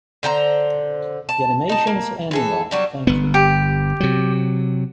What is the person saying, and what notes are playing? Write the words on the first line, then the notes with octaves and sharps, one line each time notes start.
The animation's ending of, Thank you.
D3 C5 G5 A#5
A5
D#4 A5
A#3
E3 G#4 A4
F#3 G3 D4
G1 B3
G4
C3 F#3